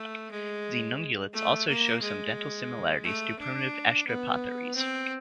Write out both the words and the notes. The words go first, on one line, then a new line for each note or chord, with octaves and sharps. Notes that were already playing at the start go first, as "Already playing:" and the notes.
Xenungulates also show some dental similarity to primitive astrapotheres.
Already playing: A3
G#3
A3
A#3
G#3
A3
D4
B3
C4